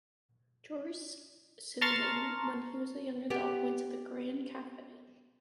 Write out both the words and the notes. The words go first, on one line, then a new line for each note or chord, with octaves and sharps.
Georges Simenon, when he was a young adult, went to the Grand café.
A5 A#5 C6 C#6 F6 A6
B3 G4